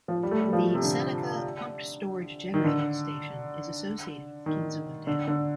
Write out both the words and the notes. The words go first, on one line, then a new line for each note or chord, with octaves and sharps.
The Seneca Pumped Storage Generating Station is associated with Kinzua Dam.
F3
G3
A3
G3
F3
C3
D3
D#3
D3
D#3
D3
D3